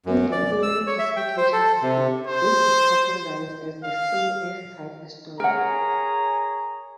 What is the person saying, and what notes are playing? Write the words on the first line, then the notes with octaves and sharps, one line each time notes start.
In the Tholen classification system, this is categorized as a stony S-type asteroid.
F#2
D5
E6
C#5
E5
G5
C5
A4
C3
C5
F5
G#4 A#4 C#5 F#5 A#5